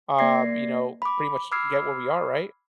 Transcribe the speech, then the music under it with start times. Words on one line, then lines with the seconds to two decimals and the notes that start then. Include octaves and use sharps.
um, you know, pretty much get where we are, right?
0.19 A#3 D5 G#6 A#6 C7
1.02 B5 D6
1.52 B5 D6 E6 F6 G#6 C7